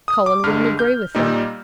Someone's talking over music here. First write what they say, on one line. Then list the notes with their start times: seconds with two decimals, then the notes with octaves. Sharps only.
'Colin wouldn't agree with them.
0.08 D#6
0.26 D6
0.44 G2 D3 G#3 F6
0.79 G6
1.15 A#2 G3 A#3 D#4